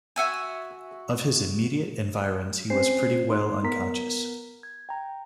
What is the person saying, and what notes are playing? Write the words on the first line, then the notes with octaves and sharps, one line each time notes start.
Of his immediate environs he was pretty well unconscious.
F#4 E5 G#5
C4 C#4 C5 G#5 C7
D#4 C6
B3 A#4 A#5 B6
G#6
G5 A#5